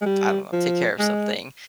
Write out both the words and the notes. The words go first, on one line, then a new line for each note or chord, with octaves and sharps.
I don't know, take care of something,
G#3
G3
F3
G#3